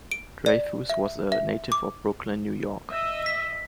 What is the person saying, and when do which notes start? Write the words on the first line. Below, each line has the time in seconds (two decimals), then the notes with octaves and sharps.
Dreyfuss was a native of Brooklyn, New York.
0.12 D7
0.46 D5
0.90 E5
1.32 E5
1.72 D6
2.90 D#5 E5
3.26 B6